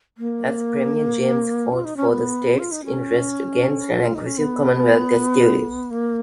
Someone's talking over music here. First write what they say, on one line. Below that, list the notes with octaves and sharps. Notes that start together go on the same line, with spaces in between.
As premier, James fought for the state's interests against an aggressive Commonwealth executive.
A#3
F4
D#4
C#4
B3
F4
D#4
C#4
F#4
F4
D#4
C#4
B3
A#3